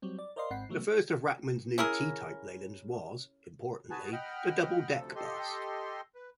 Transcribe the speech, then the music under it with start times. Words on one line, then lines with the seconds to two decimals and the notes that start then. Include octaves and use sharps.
The first of Rackham's new T-Type Leylands was, importantly, the double-deck bus.
0.02 F#3 G3 C4
0.19 D5
0.36 A#4 C5 D5 D#5 F5 C6
0.50 G#1 G#2 C4 F#5 B5 C7
0.69 D#3 F#3 A3 B3
1.78 C#4 E4 G#4 A#4
3.90 F#4 G#4 B4 G#5 A5
4.12 D#5 F#5 G5 B5 F6
4.95 D2 C3 F3 A4
5.15 G4 A4 D#5 C6
6.15 B4